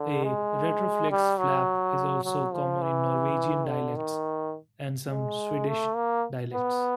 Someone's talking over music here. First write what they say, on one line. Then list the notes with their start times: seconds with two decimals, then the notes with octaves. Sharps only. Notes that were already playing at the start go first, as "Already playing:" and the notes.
A retroflex flap is also common in Norwegian dialects and some Swedish dialects.
Already playing: D3
0.24 G#3
1.10 G3
1.38 F#3
2.24 F#3
2.53 F3
2.82 E3
3.68 D3
3.96 D#3
5.10 G#3
5.67 A3
5.96 A#3
6.53 B3